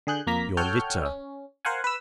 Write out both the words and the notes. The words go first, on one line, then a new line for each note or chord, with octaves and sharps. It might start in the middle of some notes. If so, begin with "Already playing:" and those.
Your litter.
D3 G#4 F#6 G6
F2 A#3 A#5 B6
A4 C#5 F#5 G5 F6 G6
C#4
A#4 C5 F5 F#5 G#5
B4 E6